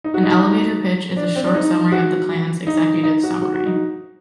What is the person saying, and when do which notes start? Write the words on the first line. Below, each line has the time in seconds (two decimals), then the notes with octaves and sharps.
An "elevator pitch" is a short summary of the plan's executive summary.
0.04 D#4
0.14 F#4
0.23 D#4
0.32 F#4
0.41 D#4
1.17 D4
1.36 C4
1.45 D4
1.55 D#4
1.92 F#4
2.67 D#4
3.03 D#4
3.23 F#4
3.42 F#4
3.54 F#4
3.66 D#4